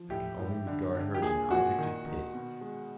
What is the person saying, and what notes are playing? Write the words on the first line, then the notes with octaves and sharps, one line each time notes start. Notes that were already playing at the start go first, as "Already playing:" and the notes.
I can only regard her as an object of pity!
Already playing: F3
A2 G4
A2
D3
D3
G4
A#2 G#4
A#2 F#4
D#3
D#3
B2
G#3